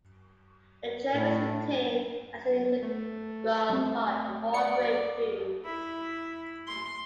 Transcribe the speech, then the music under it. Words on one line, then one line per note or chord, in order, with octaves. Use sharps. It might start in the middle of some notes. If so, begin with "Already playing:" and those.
The germ is retained as an integral part of whole-grain foods.
A2
A3
G3 C4
C#5 D5 C#7
E4
C6